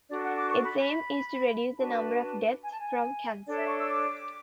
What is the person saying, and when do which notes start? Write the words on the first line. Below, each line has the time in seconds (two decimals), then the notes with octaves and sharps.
Its aim is to reduce the number of deaths from cancer.
0.08 D4 F#4 A4 D5
0.22 F#5
0.36 D6
0.51 C#6
0.64 B5
0.79 B5
1.77 D4 F#4 B4 A5
2.62 G#5
2.70 A5
2.78 G#5
3.46 D4 A4 C#5 D5
3.57 E5
3.67 C#6
3.78 E6
3.89 D6